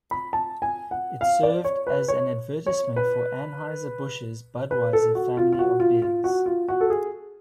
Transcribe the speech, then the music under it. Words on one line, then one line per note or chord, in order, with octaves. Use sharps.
It served as an advertisement for Anheuser-Busch's Budweiser family of beers.
B5
A5
G#5
F#5
F5
D5
C#5
B4
C#5
C#5
B4
B4
A4
F#4
F4
F4
F#4
F4
F4
F#4
F4
F#4
A4
G#4